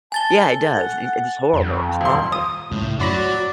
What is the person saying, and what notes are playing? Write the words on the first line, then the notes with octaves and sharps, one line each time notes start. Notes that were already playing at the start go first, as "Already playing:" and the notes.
Yeah, it does, it it's horrible, it's awful.
G#5 A5 A6 G7
A4
F#5
F2
D#1 C6
D#6 D#7
C#2 A2
F#2 F#4 C#5 D5 B5 A#6